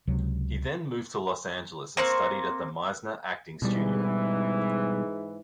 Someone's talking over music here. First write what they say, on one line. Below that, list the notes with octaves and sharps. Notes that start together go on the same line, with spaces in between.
He then moved to Los Angeles and studied at the Meisner Acting Studio.
C#2 C3 F#3
A#3 C4 C#6
G#2 B2 E3 G3